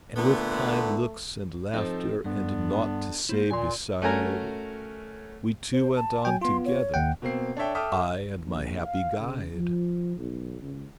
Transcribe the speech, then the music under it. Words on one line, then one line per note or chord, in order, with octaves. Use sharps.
And with kind looks and laughter And nought to say beside We two went on together, I and my happy guide.
A#2 D3 A3 B3
F3 C4 D#4 A4
G2 D3 B3 D4
A#3 E4 C5
A#2 G#5 C6
A3 C#4 F#4 A#4 G#5 A#5
C5
A5
F#3 G5 G#5
B3 F4 C6
C#5
D#2 F#5 G5
B2 A#3 C4 C7
D4 A4 C#5 E5 G5
A4 E5 G5 D6 D#6 F6
A#1
F5
C#3
F3
B1
C#2